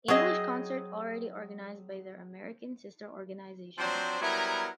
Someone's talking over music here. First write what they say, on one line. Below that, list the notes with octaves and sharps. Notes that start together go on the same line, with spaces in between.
English concert already organised by their American sister organisation.
F#3 C4 G#4 D#5
F3 F#3 C4 D4 C5
F#3 G3 B3 E4 A#4